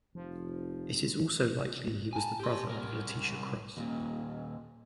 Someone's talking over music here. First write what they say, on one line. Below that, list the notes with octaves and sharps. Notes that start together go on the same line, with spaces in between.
It is also likely he was the brother of Letitia Cross.
F1 F3
G#5 A5
G4 C6
C2 A#4
D#2 A#2